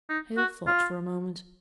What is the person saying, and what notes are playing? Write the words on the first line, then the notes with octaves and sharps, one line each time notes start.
Hale thought for a moment.
D#4
F#4
F4